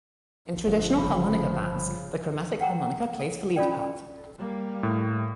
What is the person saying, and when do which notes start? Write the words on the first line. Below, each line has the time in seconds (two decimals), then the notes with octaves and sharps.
In traditional harmonica bands, the chromatic harmonica plays the lead part.
0.66 G1 F3
0.98 C#3 B5
2.61 F#5 G5 A#5
3.19 A4
3.56 C#4 F4 A4 D5 G5
4.38 G3 A#3
4.83 A2